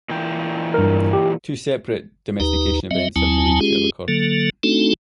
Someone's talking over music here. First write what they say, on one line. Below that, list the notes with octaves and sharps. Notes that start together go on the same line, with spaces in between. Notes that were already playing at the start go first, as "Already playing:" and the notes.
Two separate domestication events are believed to have occurred.
A#2 E3 G5
G2 A#4
G4
D#2 D#4 G4 B4 A#5
F#3 C4 D#5 E5
D#2 F#3 C4 E4 G#5 A5
G#3 C#4 F4 G4 G#4
D3 F#3 A#3 A4
A3 C4 D4 D#4 F#4 A4